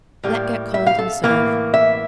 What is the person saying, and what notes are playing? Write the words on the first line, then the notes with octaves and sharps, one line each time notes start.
Let get cold and serve.
A2 G3 A#3
E5
F5
A4
A2 E3 A#3
E5